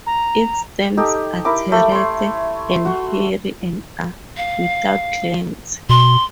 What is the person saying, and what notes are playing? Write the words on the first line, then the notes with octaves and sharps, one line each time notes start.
Its stems are terete and hairy and are without glands.
A#5
D#4 G4 A4
E4 A#4 D6
A3
C#5 C6
C6
F#4
F5
B2 C6